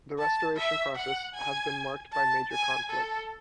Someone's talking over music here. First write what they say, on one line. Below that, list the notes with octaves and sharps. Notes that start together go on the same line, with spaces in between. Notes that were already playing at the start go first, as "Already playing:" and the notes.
The restoration process has been marked by major conflict.
A5
E5
F#5
G#5
A5
G#5
A4